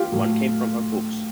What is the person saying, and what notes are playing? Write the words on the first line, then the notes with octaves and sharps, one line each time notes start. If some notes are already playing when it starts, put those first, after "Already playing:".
One came from her books.
Already playing: F4 G4
A2 F#3 A3